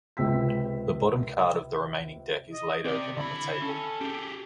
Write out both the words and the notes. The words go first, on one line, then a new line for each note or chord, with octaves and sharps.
The bottom card of the remaining deck is laid open on the table.
C#2 C3 G5 E6 B6
D#5
C4 G4 D5
D3 E4 B5
C#4 A4
G4 G#4